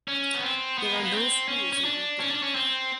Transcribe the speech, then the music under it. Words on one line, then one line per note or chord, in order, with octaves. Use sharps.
There are no schools in Anthony.
C#4
B3
C4
B3
A#3
B3
C4
C#4
C#4
D4
C#4
D4
C#4
C4